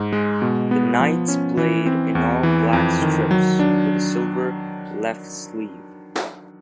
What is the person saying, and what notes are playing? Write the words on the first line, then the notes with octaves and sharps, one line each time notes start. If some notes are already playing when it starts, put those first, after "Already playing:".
The Knights played in all-black strips, with a silver left sleeve.
Already playing: G#2
G#3
B2
B3
F3
C#4
E3
C4
E2
E3
F2
D#3
F#3
D4